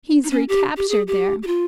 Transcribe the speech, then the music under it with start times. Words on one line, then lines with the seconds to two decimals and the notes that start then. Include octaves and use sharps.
He's recaptured, there!
0.24 D#4
0.30 C#4
0.49 G4
0.77 G4
0.89 G#4
1.07 G4
1.43 G4
1.47 F4